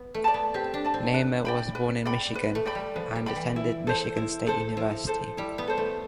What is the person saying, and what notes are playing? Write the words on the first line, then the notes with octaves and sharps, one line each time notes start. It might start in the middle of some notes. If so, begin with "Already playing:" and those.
Neeme was born in Michigan and attended Michigan State University.
Already playing: B3
A3
D5 A5
B3
C4 G4
D4
D5 A5
C4
B4
D5 G5 B5
B4
D5 G5 B5
B4
A3
D5 G5 B5
G3
F3 B4
G3
D5 G5 B5
E3
E4
A4 C5
E4
A4 C5
F3 E4
A4 C5
G3 E4
B3
A4 C5
A3